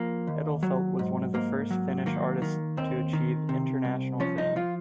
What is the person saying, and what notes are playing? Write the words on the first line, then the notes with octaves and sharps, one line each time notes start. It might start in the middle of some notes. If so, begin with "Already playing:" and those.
Edelfelt was one of the first Finnish artists to achieve international fame.
Already playing: F3 A#3
D#2
F#3
G#2
G#2 A#3
F#3
D#3 A#3
D#3
D#2 C4
D#3
C3
C2
F3 C#4
D#4
F3 F4